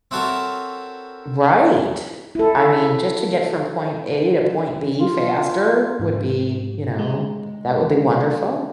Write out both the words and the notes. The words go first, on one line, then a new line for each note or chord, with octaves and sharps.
Right, I mean, just to get from point A to point B faster would be, you know, that would be wonderful.
C4 E4 F#4 A4 A#4 C#5
E4 A4
F4
G#2
G#3